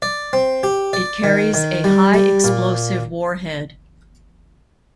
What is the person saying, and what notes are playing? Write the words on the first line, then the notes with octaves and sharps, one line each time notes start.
It carries a high explosive warhead.
D5
C4
G4
D5
D#3
D#3
G3
G3
A#2